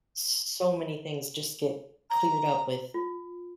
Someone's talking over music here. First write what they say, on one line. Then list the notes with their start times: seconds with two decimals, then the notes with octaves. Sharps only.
S so many things just get cleared up with
2.10 A#5
2.94 F4